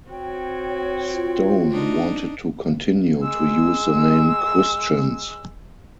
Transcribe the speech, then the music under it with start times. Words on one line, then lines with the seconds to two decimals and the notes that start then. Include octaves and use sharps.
Stone wanted to continue to use the name Christians.
0.10 C4 F#4 C#5 G5
1.13 F4
1.72 D4 D#4
3.20 G#3 E6